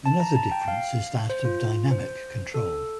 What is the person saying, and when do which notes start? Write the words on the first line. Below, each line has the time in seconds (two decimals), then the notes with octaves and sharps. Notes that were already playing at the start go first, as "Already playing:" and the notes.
Another difference is that of dynamic control.
0.06 A5
0.20 A#5
0.36 A5
0.52 G5
0.68 F5
1.30 C5
1.45 F4
1.91 C5
2.54 A4